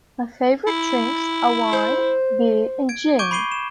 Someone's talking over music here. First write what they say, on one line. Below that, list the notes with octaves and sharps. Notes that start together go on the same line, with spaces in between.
My favourite drinks are wine, beer and gin.
E4
C5
G#6 D7
C#6 D6 G6 G#6 D7 D#7
B5 C#6 C7 D#7 G7
E7